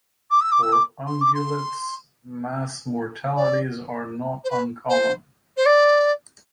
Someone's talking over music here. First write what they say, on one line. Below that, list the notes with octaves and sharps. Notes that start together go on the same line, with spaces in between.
For ungulates mass mortalities are not uncommon.
D6
E6
D6
E6
D6
C6
D6
C6
D5
C5
B4
C5
C5
D5